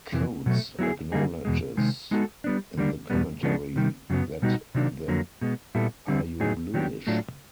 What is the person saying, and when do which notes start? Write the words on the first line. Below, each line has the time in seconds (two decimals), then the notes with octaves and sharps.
Coates acknowledges in the commentary that the are you Bluish?
0.12 F2 C3 E3
0.46 B2 F#3 A3
0.79 F#3 B3 E4 G#4
1.12 D3 G3 A#3 D#4 G#4
1.45 E2 B2 G#3
1.77 C3 D#3 G#3
2.11 G#3 B3 D#4 F#4 A4
2.44 G3 B3 D4
2.77 D3 G3 A#3 D4
3.10 E2 B2 G3 B3
3.43 C#3 F3 G#3 B3 D4
3.76 C3 D#3 G3
4.10 F#2 C#3 F#3 B3
4.42 B2 G3 B3 D#4 F#4
4.75 C3 D#3 F#3 A#3 D4
5.08 F2 D3 F#3 A#3
5.41 B2 G#3 B3
5.75 A#2 G3 B3 E4 A4
6.08 D3 G3 C4
6.40 A2 F#3 B3 D#4 G#4
6.74 D#3 F#3 B3 D4 G4
7.07 A2 F#3 A3 D4 F4